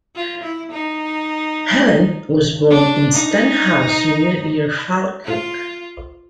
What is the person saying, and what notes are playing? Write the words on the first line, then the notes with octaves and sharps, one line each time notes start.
Helen was born in Stenhousemuir, near Falkirk.
F4
E4
D#4
D4
D#4
F4